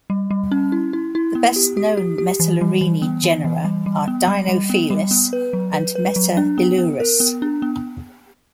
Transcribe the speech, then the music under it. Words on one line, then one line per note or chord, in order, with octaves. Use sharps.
The best known Metalurini genera are "Dinofelis" and "Metailurus".
G3
G3
C#4
E4
E4
E4
B3
G4
G4
G4
G4
E3
G3
E3
B3
E3
E3
G3
G3
B3
G3
G3
B3
G3
B3
B4
F#3
B4
B4
F#3
D4
B3
B3
A#4
B3
D4
B3